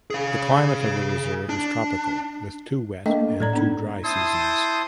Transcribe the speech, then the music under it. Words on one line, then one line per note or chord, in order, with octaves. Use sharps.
The climate of the reserve is tropical with two wet and two dry seasons.
G#4 F5
D4
A3 A#3 D4 D#5 G5
A2 A4 D5 A#5 G#6
B3 D4 D#4
E4 C5 A5 C6 D#6